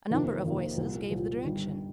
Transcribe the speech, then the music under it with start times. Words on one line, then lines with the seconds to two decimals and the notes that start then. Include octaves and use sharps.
A number of voices gave the direction.
0.10 F2 C3 D#3 A#3 D#4
0.44 F2 C3 D#3 A#3 D#4
0.77 C2 A#2 F3
1.11 C2 A#2 F3
1.44 G1 G2 D#3 G3